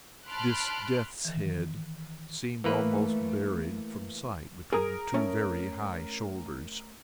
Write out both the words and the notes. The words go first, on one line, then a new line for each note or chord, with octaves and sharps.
This death's-head seemed almost buried from sight between two very high shoulders.
A5 B5 C6 F6 F#6 D7
D#3 E3
E3 A3 A#3 B4
G#4 A#4 A#5 D#6
A3 C#4